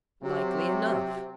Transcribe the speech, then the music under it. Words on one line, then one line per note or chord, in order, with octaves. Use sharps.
Likely enough.
C3 F#3 F#4